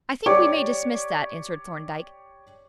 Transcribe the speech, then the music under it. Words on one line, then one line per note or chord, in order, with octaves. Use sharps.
"I think we may dismiss that," answered Thorndyke.
G4 C#5 D5 C#6 D6